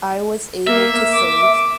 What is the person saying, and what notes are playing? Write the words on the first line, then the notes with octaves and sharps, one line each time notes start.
I was able to save.
A#3 E5
D6